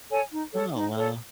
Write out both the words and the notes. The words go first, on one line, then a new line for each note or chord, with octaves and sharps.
Oh, wow.
A4 C#5 G#5
D#4
A4 C#5
D#4
A4 C#5